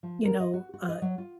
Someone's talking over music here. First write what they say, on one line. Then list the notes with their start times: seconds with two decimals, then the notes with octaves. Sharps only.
You know, uh,
0.03 F3
0.25 A#4
0.40 D#5
0.54 F#4
0.74 F#4
0.89 D#5
1.02 F#3
1.18 F4